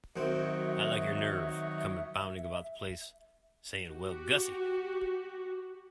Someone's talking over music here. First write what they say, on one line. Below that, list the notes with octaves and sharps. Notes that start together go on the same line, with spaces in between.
I like your nerve, coming bounding about the place, saying 'Well, Gussie.'
F#2 D#3 F#3 C4 C#5 E5
F#4 G4